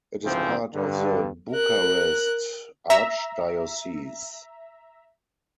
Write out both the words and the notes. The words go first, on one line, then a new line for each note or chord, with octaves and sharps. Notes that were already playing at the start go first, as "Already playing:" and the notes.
It is part of the Bucharest archdiocese.
D2 G#2 C#3 E3 F3 C4
G2 D3
A#4 F#6
E5 A#5